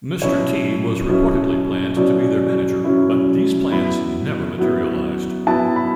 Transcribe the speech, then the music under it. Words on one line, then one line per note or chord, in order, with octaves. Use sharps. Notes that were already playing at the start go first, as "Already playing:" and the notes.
Mr. T was reportedly planned to be their manager, but these plans never materialized.
B2 F#3 C#4 E4 C#5
B2 F#3 C#4 E4
B2 F#3 C#4 E4 D5
B2 F#3 C#4 E4
F#3 B3 E4 B5
F#3 B3 E4
F#3 B3 E4 A5
B5